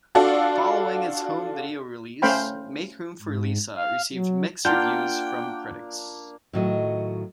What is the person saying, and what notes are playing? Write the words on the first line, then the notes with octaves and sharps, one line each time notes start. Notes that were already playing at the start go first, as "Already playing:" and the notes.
Following its home video release, "Make Room for Lisa" received mixed reviews from critics.
D4 F4 F#4 A4 D5
A3 C#4 C5 F5 G5 B5
G#2
F5
F#3
A#3 D4 F4 F#5 G5 G6
A2 D#3 F#3 F4 D#5